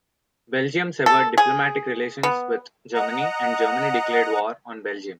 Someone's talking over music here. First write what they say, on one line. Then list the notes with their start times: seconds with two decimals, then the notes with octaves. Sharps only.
Belgium severed diplomatic relations with Germany and Germany declared war on Belgium.
1.06 A4
1.38 G#4
2.23 B3
2.94 D#5 F#5 A#5